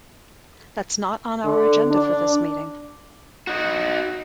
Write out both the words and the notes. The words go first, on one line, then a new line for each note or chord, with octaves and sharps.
That's not on our agenda for this meeting.
D3
D4
D#4 F#4